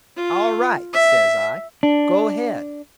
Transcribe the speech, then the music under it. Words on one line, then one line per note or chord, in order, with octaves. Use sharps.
"All right," says I, "go ahead."
F4
E5
D4